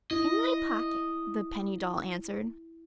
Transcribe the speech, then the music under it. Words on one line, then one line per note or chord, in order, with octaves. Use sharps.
"In my pocket," the penny doll answered.
E4 D#5